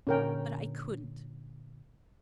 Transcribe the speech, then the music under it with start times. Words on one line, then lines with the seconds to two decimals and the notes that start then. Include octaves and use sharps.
But I couldn't!
0.07 A#2 D3 C#4 A#4 G5